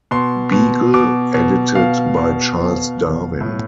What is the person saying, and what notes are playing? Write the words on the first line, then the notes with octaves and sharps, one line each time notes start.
Beagle, edited by Charles Darwin.
B2 C6
B2
B2 D6
B2
B2 F5
B2
B2
B2
A2